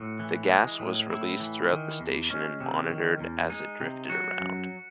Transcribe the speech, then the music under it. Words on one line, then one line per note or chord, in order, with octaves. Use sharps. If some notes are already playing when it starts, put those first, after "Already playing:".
The gas was released throughout the station, and monitored as it drifted around.
Already playing: A2 F#4
E3
G#3
A2
A2 E4
E3
D#3
E2
G#3 C#4
C3
D#3
E2
G#3 D#4
C3
F#3 F#4
F#2